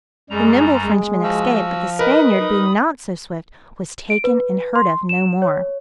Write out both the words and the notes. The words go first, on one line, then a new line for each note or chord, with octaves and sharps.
The nimble Frenchman escaped; but the Spaniard being not so swift, was taken and heard of no more.
F#2 G3 G#3 A#5
G#3
F3 F#4 E6
A#4 B4 D#5 B5 D#6
D#4
D7
B4
C6
E7
C#5